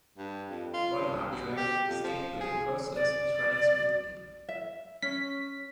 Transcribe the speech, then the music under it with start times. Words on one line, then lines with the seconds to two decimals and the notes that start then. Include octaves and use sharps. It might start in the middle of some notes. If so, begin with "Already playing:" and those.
The bottom-up track — the State-building process — is running smoothly.
0.18 G2
0.50 F2
0.74 F4
0.99 G2
1.32 B2
1.57 G4
1.88 F2
2.04 F3
2.40 G#4
2.95 D5
4.49 E5
5.02 C#4 B6